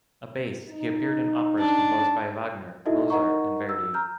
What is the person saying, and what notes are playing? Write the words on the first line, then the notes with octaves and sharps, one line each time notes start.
A bass, he appeared in operas composed by Wagner, Mozart and Verdi.
D#4
D4
D#4 E4 F#4 A4 D#5 E5
D#4 A#4 D#5 F#5 A#5 C#6
E6
A#5 F6 G6